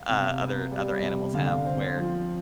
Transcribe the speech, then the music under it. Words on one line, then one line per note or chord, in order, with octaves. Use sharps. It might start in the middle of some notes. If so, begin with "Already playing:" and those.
uh, other other animals have where,
Already playing: F5
C3
B3
G3
C3
D3 F5
C4
F3